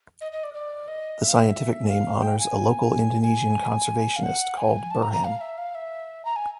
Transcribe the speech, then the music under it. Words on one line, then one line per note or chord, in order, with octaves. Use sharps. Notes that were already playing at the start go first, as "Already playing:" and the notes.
The scientific name honours a local Indonesian conservationist called Burhan.
D#5
D#5
D5
D5
D#5
E5
F5
E5
F5
G5
G#5
G#5
F5
F#5
G#5
A5
A#5
A#5
F5
E5
F5
E5
A#5
G#5